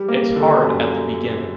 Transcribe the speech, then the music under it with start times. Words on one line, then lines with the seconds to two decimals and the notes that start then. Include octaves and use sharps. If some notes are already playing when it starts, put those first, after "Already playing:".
It’s hard at the beginning.
Already playing: G3
0.08 A#3
0.36 D3
0.64 F#2